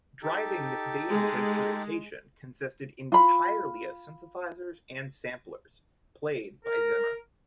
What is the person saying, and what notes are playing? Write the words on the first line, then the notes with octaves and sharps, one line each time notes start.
"Driving Miss Daisy"'s instrumentation consisted entirely of synthesizers and samplers, played by Zimmer.
D#4 G4 A4
G#3
F4 B5
A#4